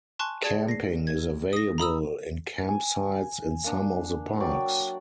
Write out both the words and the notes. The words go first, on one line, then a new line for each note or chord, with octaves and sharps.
Camping is available in campsites in some of the parks.
G#5 A5 C6 C#6 F#6
G#4 D5 A5 G#6
A#6 C7
G#6
D#6 A#6
A#5 B5 D#6 E6
G#5
A#3 D4
F#3 D5 G5